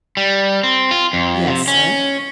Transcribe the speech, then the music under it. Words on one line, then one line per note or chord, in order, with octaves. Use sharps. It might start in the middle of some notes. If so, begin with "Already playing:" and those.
"Yes, sir."
G3
C4
F4
F2
C3
C#4